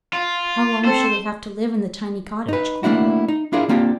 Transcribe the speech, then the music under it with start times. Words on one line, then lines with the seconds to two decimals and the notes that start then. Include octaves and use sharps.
"How long shall we have to live in the tiny cottage, Clym?"
0.13 F4
0.85 C4 A4 C5
2.49 D#4 B4
2.83 A3 A#3 D4 E4 F#4
3.28 D#4
3.53 D4 E4 F4 G#4 A#4
3.69 A#3 C4 D4 F4 G4